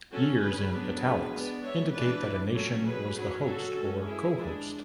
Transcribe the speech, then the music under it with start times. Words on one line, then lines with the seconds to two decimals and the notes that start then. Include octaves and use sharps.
Years in "italics" indicate that a nation was the host or co-host.
0.11 F#3 C#4 F#4 A4
0.41 G#4 B4
0.71 F#3 B3 D4
1.02 G#4 B4
1.32 G#3 B3 D4
1.63 C#5 E5
1.93 E3 G#3 D4 B4 D5
2.53 F#3 A3 C#4 A4 C#5
2.84 G#4 B4
3.15 F#3 C#4
3.45 F#4 A4
3.75 G#3 C#4
4.05 E4 G#4
4.36 G#3 D4